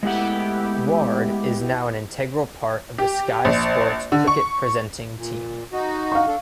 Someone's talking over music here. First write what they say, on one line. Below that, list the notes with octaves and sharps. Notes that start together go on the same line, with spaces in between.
Ward is now an integral part of the Sky Sports cricket presenting team.
G#3 A3 B3 E4 G4 F#5
G4
A#1
D3
C#6
A#2
D#4 F#4
F5 C#6
D4 A4